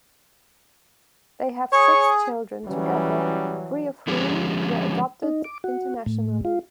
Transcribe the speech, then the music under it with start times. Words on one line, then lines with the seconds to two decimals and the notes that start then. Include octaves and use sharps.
They have six children together, three of whom were adopted internationally.
1.73 G#4 C#5 C#6
2.67 E3 F#3 G3 C#4
4.07 D3 F3 G#3 C#4 G4 C#5
5.23 D#4
5.44 D6
5.64 F#4
6.06 A2
6.45 F4